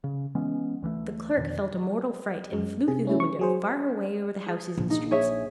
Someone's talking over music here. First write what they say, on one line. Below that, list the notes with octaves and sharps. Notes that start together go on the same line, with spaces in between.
The Clerk felt a mortal fright, and flew through the window, far away over the houses and streets.
C#3
E3 G#3 B3 C#4
D2 E3 G3 A3
F2 B2 D#3
F#2 G#3
C3 G#4
A3 C#4 E4
C#6
F#3 G#4 C5
G#4
A#1
D#4
G#4 C#5 E5